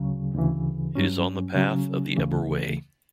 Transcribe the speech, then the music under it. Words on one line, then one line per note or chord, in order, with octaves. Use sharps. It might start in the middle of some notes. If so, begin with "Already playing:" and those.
It is on the path of the Ebor Way.
Already playing: D2 C#3 F#3
D2 C#3 E3
G2 F#3 C#4
C#3 F#3 C#4
D2 C#3 E3 A3